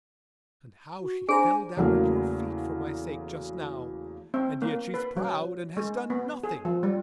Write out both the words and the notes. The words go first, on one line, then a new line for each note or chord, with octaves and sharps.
And how she fell down at your feet for my sake, just now!... and yet she's proud and has done nothing!
F#4
D4 G#4 C5 G#5 A#5
E2 C#3 F#3 A3 A#3
C4
A#3
B4
F#3
G#3
B3
G#4
F3
G3